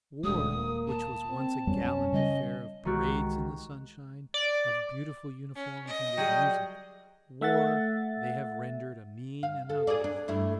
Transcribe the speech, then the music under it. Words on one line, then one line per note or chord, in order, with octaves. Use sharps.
War, which was once a gallant affair of parades in the sunshine, of beautiful uniforms and of music, war they have rendered a mean and ugly thing.
D#1 D2 G#3 D#6
A#3
A5
C4
F#2 G3 B3 C#4
C#3 G3 D#5
C2 D#3 E3 G#3 F#4 G4
D5
C#4
D#5
F#3 G3 G#4 G5
A3 E5 F#5 A6
F5
A4
G#4 A4 D5
D4
G2 A3 E4